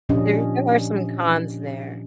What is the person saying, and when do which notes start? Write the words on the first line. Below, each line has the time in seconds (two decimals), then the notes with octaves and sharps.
there there are some cons there.
0.09 A#2 F3 C#4 D4 G4 D#5